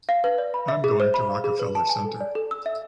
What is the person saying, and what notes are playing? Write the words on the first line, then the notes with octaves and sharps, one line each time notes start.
I'm going to Rockefeller Center.
F5
B4
D5
B5
E5
G#4
C5
B5
F5
G#4
B4
A5
G#5
A4
D5
A4
E6
E5